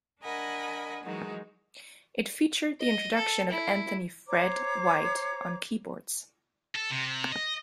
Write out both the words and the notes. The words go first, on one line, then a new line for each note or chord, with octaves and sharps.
It featured the introduction of Anthony "Fred" White on keyboards.
D4 A#4 D#5 F#5 G#5 B5
D#3 E3 F#3 G#3 D#4 F#4
D#5
A4
E4
C5 C#5 A#5 D6
A4
C3
D#5